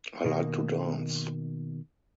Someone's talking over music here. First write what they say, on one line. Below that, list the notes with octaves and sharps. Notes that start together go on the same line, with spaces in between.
I like to dance.
B2 D#3 A#3